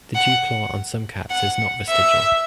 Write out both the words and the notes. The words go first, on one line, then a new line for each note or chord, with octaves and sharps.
The dewclaw on some cats is not vestigial.
F#5
F#5
E5